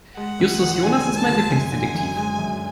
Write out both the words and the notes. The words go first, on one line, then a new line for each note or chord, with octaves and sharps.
Justus Jonas ist mein Lieblingsdetektiv.
G#3 F#5
D2
E1
D3 G#5
G#3
A5
D2
F#2 G#5
D3
F#2
G#3
F#2